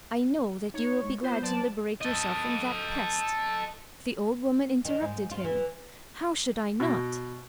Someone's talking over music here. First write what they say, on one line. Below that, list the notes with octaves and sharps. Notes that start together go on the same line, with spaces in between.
I know that you will be glad to liberate yourself from that pest." The old woman interrupted him: "How should I not?
D#4 C#5
G#3
B3 F4 C5
F#3 D5 A5
A4 D#5
D#3
G#2
F4
E3
B2